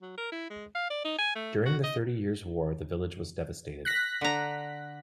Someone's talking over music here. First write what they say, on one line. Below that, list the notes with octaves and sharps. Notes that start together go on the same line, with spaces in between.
During the Thirty Years' War the village was devastated.
F#3
A#4
E4
G#3
F5
D5
D#4
G#5
A3
F#4
D#5
F#6 A#6 B6
D3 A#5